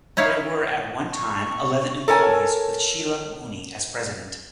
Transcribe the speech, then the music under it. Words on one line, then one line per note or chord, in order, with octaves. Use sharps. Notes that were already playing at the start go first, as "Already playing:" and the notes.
There were at one time eleven employees with Sheila Mooney as President.
D#4 E4 C#5 F5
C#6
A4 A#4 C#5 G#5